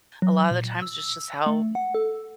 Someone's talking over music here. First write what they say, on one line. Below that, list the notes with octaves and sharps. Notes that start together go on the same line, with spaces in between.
a lot of the times, that's just how,
F#3
A#2
E6
A3
F#5
A4